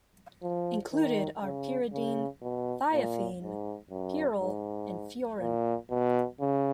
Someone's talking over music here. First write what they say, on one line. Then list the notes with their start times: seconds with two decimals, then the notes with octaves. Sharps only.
Included are pyridine, thiophene, pyrrole, and furan.
0.43 F3
0.92 D#3
1.42 C#3
1.92 C#3
2.42 B2
2.92 A#2
3.41 G#2
3.91 F#2
4.40 G#2
5.40 A#2
5.90 B2
6.40 C#3